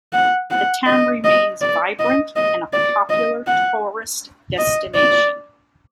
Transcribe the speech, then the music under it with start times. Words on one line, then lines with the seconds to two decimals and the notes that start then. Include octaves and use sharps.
The town remains vibrant and a popular tourist destination.
0.13 F#5
0.51 F#5
0.87 D#5
1.24 D#5
1.62 D5
1.99 D#5
2.36 D#5
2.73 D5
3.10 D#5
3.47 F#5
4.58 D#5
4.95 D5